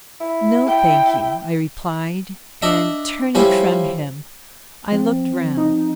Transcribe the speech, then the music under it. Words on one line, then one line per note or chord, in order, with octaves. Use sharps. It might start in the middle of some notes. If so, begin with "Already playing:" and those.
'No, thank you,' I replied; and, turning from him, I looked round.
E4
G5
D4 D#5 E5
F3 G3 C#4 E4 F5
F3 C4
D#4